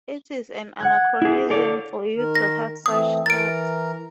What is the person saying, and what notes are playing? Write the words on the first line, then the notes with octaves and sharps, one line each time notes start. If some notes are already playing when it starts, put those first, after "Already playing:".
It is an anachronism for you to have such thoughts.
F#5 F#6 G#6
E4 G#4
A4 C#5 D5
D#3 A#4
A#6
E3 A3 C4 D#6
E3 A#4 A#5 A6 D7